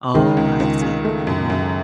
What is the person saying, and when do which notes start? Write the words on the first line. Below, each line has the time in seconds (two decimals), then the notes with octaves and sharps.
Oh, I see. Mhm.
0.14 D#3 G#3
0.37 C#2
0.60 C#2
0.82 C#3
1.05 A3
1.27 F#2
1.50 F#2